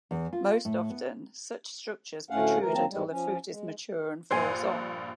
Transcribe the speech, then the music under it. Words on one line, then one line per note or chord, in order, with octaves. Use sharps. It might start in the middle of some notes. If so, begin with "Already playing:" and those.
Most often such structures protrude until the fruit is mature and falls off.
E2
F4
A2
B3
D2 A2 A3 C#4 F5 F#5
D2 E3 A#4
F#3 A#3 C4 A5 A#5
E2 G#2 G3 G#3
F3 C#4
G#3
A#1 G2 C5 G#5